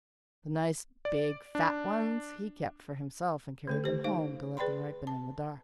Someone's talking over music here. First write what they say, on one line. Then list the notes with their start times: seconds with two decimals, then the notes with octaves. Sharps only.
The nice big fat ones he kept for himself and carried them home to let them ripen in the dark.
1.05 D5
1.55 D4
3.67 D3 A3 A4
3.84 G4 C5
4.04 D#4 C5 F5
4.57 G#4 B4 D5 G5 B5 C6
5.07 A5